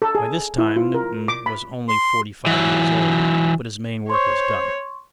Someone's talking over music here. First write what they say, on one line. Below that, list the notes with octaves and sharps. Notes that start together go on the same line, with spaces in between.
By this time Newton was only forty-five years old, but his main work was done.
A4
G#4
E4
F4
A#4
D6
B5
C6
E3 F#3
C5 C#5 C6 C#6